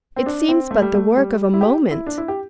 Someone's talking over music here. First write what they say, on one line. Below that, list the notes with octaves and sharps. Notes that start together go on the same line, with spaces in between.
It seems but the work of a moment.
C4
D4
C4
A3
G3
A3
G3
E4
G4
E4
D4
E4
G4